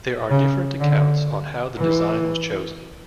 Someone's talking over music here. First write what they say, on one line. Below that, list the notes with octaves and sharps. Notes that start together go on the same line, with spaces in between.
There are different accounts on how the design was chosen.
C#3
D3
E3